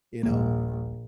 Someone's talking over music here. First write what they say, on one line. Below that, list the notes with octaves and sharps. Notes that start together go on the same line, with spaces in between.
you know
D#1 A#1 A#3